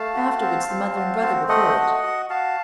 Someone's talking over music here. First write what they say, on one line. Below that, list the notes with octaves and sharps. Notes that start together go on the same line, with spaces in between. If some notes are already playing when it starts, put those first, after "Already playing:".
Afterwards the mother and brother were caught.
Already playing: A3 F5 A5
F#4
C4
C4
F#4
C4
A3 D#5 F#5
F#4
F#4
F#4 F5 A5